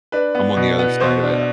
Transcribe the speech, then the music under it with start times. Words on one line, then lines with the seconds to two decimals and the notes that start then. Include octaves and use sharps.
I'm on the other side of it a
0.12 D4 B4
0.35 B3
0.57 B2
0.79 B3
1.00 B2 C5
1.23 D4